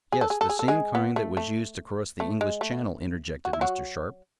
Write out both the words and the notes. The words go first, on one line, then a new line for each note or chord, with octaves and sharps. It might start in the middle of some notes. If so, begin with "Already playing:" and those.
"Yes, the same kind that was used to cross the English Channel," interjected Mr. Sharp.
G#4
A4
G#4
A4
G#4
A4
G#3 G#4
B3
A3
A3
A3
G#3
A3
F#4
E4
F#3 F#4